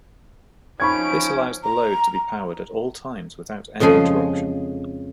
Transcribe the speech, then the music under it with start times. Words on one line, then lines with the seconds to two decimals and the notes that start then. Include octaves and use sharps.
This allows the load to be powered at all times without any interruption.
0.80 F3 C#4 D#4 B5 C#6 G#6 D7
1.64 A#5
3.80 F2 C#3 F3 G#3 G#5